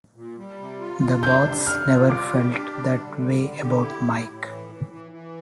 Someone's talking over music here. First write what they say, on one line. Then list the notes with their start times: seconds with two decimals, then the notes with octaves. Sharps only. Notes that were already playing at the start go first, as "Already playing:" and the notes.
The bots never felt that way about Mike.
0.16 A#2
0.38 G3
0.59 C3
0.80 F4
1.02 C3
1.23 D4 G6
1.45 G3
1.66 C3 F6
1.88 F4
2.10 G3 D6
2.32 G4
2.52 D4
2.75 G3
2.96 D3
3.17 G3
3.40 D3
3.61 G4
3.82 E4
4.04 A2
4.25 A2
4.47 E3
4.69 E3
4.90 E3
5.12 E3